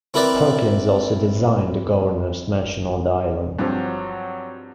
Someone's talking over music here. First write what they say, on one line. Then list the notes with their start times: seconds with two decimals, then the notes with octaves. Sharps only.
Perkins also designed the Governors Mansion on the island.
0.14 C4 E4 A#4 B4 D5
3.59 G2 F3 F#3 C4